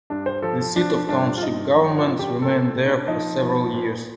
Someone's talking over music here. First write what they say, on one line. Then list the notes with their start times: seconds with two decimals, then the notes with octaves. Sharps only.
The seat of township government remained there for several years.
0.10 G2 D4
0.26 C5
0.42 F3 A4
0.76 F3 D4
1.09 G2 D4
1.38 F4
1.42 G2 D#4
1.75 F3 D#4
1.97 F4
2.08 F3
2.19 G4
2.41 A#2 A4
2.64 A4
2.75 A#2
2.85 D4
3.07 F3 D#4
3.41 F3
3.74 A#2